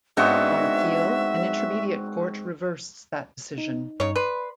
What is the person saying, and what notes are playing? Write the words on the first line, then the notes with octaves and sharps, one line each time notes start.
On appeal, an intermediate court reversed that decision.
G#2 G#3 B3 C4 D4 F#4 E5
D#4
G2 C#3 D#4 C#5
B4 D5 C6